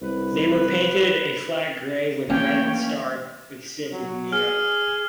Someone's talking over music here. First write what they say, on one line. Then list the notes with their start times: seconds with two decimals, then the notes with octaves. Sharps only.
They were painted a flat gray with red star insignia.
0.02 C2 B4
2.30 E3 A3 A#3 C#4 D4 C#5 G5
3.93 F#3
4.32 G#4 F6